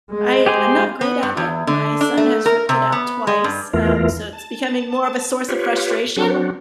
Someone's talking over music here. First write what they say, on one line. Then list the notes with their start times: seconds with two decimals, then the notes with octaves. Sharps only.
I I'm not great at it. My son has ripped it out twice, um, so it's becoming more of a source of frustration,
0.12 G#3
0.46 G4 G#4 C5
1.01 B3
1.23 G2
1.37 E2
1.67 D3
2.01 D4
2.18 A3
2.46 A#4
2.69 C3
2.92 B3
3.27 G#3
3.44 G2
3.73 E2 E3 A3 F4 A#4
4.33 A5
5.49 F4 G4 B4 C#5
6.16 F#3 C4 D4 F#4